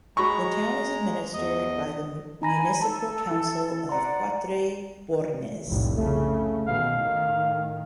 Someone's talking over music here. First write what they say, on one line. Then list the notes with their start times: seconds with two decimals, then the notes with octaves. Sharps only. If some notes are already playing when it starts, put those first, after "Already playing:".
The town is administered by the Municipal Council of Quatre Bornes.
0.17 G#3 F#4 A#5 B5 C#6
1.34 E2 D#5
2.42 D#4 G#5 A#5 B5 A#6
2.81 A4 A5
3.31 E4
3.89 D5 F#5 A#5 C6
5.68 F1 C2 A2
5.97 C#3 A3
6.66 B2 D#3 F5
6.97 A2 D#3